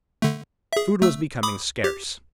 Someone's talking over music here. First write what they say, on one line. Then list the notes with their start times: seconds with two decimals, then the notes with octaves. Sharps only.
Food was becoming scarce.
0.22 D3 A3
0.73 G#4 E5
1.02 A3 E6
1.43 B5 D6 D#6
1.84 G4